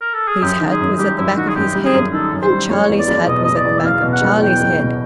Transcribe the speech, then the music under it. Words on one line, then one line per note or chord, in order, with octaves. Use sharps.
His hat was at the back of his head, and Charlie's hat was at the back of Charlie's head.
A#4
A4
G#4
F#2 G4
D#3
G#4
F#2
G3 G4
F#2 E4
D#3 F#4
G#4
F#2 G4
G3
G#4
F#2
D#3 A4
F#2
C5
G3
F#1 C#5
E2
D5
F#1
B2 D#5
F#1 D#5
D5
E2
E5
F#1 F5
B2
F#5
F#1
E2 G5
F#1
B2